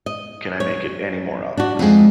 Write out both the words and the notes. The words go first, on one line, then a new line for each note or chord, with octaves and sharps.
Can I make it any more obvious?
D#5
C#5
D4 F#4
F2 G#3